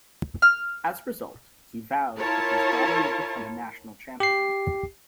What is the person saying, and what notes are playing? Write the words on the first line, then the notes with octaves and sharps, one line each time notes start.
As a result, he vowed that his daughter would become a national champion.
F6
E4 F4 A#4 C#5 A5
G4 C7